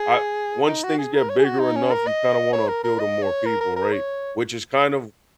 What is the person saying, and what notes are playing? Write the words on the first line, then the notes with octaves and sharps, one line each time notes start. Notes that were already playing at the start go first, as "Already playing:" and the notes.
I Once things get bigger enough, you kinda wanna appeal to more people, right? Which is kind of
Already playing: G#4
D#4
F#4
G#4
A#4
C#5
G#4
F#4
D#4
C#4
A#4
D#5
C#5
A#4
A#4
D#5
C#5
A#4
A#4
A#4
C#5